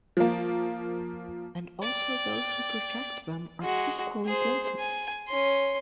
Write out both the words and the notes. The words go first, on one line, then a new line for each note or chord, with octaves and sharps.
And also those who protect them are equally guilty.
F3 A#3
D5 G5
G#3 F#4
G#4 C5
G#5
C#4 C6